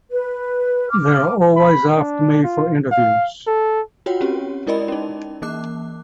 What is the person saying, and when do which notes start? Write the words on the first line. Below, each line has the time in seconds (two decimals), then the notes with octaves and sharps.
They're always after me for interviews.
0.11 B4
0.90 D6 F6
1.56 B5
1.97 D4
2.44 F4
2.91 F5
3.47 A4
4.06 F4 F#4 C#5 F#5 G5
4.21 C4 C#4 F#4 G4 C#5
4.67 G#3 E4 A#4 D5 D#5 B5
4.88 C#4 D#4
5.42 E3 A#3 D6 F#6